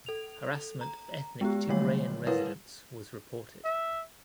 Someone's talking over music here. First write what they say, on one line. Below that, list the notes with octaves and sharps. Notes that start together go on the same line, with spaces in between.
Harassment of ethnic Tigrayan residents was reported.
A4 F7
A#5
G#3 B3 G4
D3 D#3 F#3 G3 A3 C#5
G3 E4 A#4 B4 C#5 F5
E5